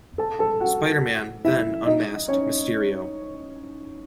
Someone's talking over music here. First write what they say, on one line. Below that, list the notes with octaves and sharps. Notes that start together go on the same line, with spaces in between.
Spider-Man then unmasked Mysterio.
A4 A5
A4 A5
F#4 F#5
E4 E5
D#4 D#5
C#4 C#5